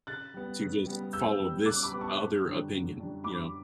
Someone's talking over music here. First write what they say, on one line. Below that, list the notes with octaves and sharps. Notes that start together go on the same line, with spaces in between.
to just follow this o other opinion, you know?
C#3 F#6 A6
G3 B3
C#3
G3 B3
C#3 E6 G6
G3 B3
C#3 D6 F#6
B5 D6
G3 B3
A5 C#6
F#2
D3 G3 D4
F#2
D3 G3 D4
F#2 B5 D6